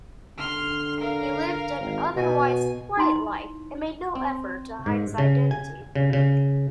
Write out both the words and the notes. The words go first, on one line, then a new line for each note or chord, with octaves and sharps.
He lived an otherwise quiet life and made no effort to hide his identity.
D3 C6 F6
A#4 F5
G#1
B2 G#5
D#4 E4 C6
C4
G#2
C#3
G#5
C#3
C#3